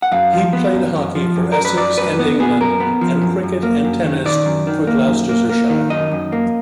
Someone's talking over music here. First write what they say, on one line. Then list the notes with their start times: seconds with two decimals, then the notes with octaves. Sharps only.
He played hockey for Essex and England, and cricket and tennis for Gloucestershire.
0.02 F#5
0.12 F#2 F5
0.33 F3
0.53 B3
0.75 F#2
0.95 F#2
1.16 F3
1.36 F#2
1.52 F#2 A#4
1.65 B4
1.77 F#2 D5
1.98 F#2 B4
2.19 B3
2.40 B3 G#4
2.60 F#2 A#4
2.80 B3
3.01 F3
3.22 F#2
3.43 F#2
3.63 A#3
3.85 F#2
4.04 D#3
4.25 D#3 D5
4.46 F#2
4.67 D#3
4.87 A#3
5.08 F#2
5.29 A#3
5.49 A#3
5.70 D#3
5.90 F#2 D#5
6.11 F#2
6.32 A#3